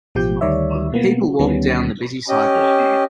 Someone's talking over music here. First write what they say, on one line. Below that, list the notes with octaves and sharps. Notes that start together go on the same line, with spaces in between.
People walk down the busy sidewalk.
A1 B2 F3 G4 G5 G6
D2 D#3 G3 C#5 D5 E5
B2 A#3 B3
D2 D#3 G3 B3 C#4
C#4 G4 D#5